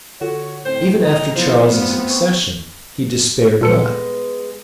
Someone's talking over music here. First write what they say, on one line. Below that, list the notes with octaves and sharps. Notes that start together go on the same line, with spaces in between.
Even after Charles's accession he despaired not.
D3 F4 F#4 A4 C#5
A2 C4 C5 G5 G6
D#5 A#5
F3 B3 E4 F4 G#4 C5
A3 C4 F4
C5 C#6
A#2 G#3 B3 A4 B4 C#7